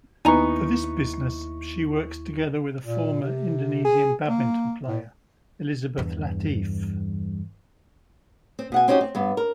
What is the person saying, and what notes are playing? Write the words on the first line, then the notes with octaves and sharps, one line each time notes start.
For this business, she works together with a former Indonesian badminton player, Elizabeth Latief.
D#2 B3 D#4 E4 G#5 A#5 C#6
A#2
C3
G#4
A#3
A2
E2 G2
C4
B2 F#5 G#5
C4 C#4 D#4 F#4 G4
C4
G2 B3
A#4